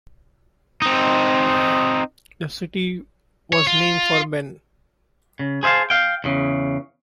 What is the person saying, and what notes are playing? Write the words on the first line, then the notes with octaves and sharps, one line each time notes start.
The city was named for Ben.
C4 D#4
C#5
F4
C#3
G#4 C5 E5 F5 A5
F5 G5
E2 C#3